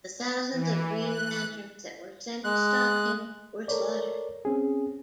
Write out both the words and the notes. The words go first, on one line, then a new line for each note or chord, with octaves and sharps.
The thousands of Green Lanterns that were sent to stop him were slaughtered.
E3
F#6
G#3 F#6
A4 A#4 C#5 D5
C4 C#4 G#4